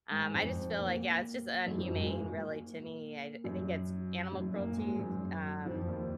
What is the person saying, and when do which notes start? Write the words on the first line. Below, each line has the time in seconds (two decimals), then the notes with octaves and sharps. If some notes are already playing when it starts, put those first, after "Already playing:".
Um, I just feel like yeah, it's just inhumane, really, to me, I d I think it's animal cruelty, um
0.11 G#2 G#3
0.34 F2 F3
0.78 A#2 A#3
1.67 F#2 F#3
1.78 F2 F3
1.88 F#2 F#3
1.99 G#2 G#3
2.11 A#2 A#3
3.44 F#2 F#3
4.32 F#2 F#3
4.55 A#2 A#3
4.76 G#2 G#3
4.99 F#2 F#3
5.65 F2 F3
5.88 D#2 D#3